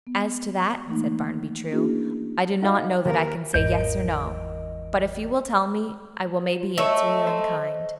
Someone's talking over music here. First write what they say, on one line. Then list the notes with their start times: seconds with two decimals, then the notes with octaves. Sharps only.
"As to that," said Barnaby True, "I do not know that I can say yes or no, but if you will tell me, I will maybe answer you in kind."
0.07 B3
0.86 E3 A3 A#3 D#4
1.71 A#3 C#4 D4 E4 F#4 G#4
2.62 D#4 F#4 F5
3.05 D#2 A#4
3.54 G#1 E2 A#4 D#5 G6
6.57 F4
6.78 A3 C#5 D#5 E5
7.27 C5